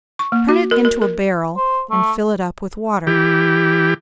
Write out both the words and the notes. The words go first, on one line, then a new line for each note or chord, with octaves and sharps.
Turn it into a barrel, and fill it up with water.
C#6
A#3
F#4
A#4
A#4
A#4
C5
A3
E3 G4